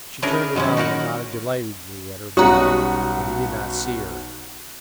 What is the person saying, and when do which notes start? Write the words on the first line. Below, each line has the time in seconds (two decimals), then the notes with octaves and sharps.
She turned around and nodded delightedly at her brother, but he did not see her.
0.22 C#4 D4 E4 G#4 A#4 B4
0.55 D#3 F#3 G#3 B3 C#4
0.77 D#4 F#4 A#4 F#5
2.37 B1 G3 C#4 F#4 F#5 A#5 D#6